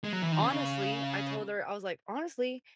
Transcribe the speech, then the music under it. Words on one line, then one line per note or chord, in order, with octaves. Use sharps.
honestly, I told her, I was like, "Honestly,
G#3
F#3
E3
D#3
C#3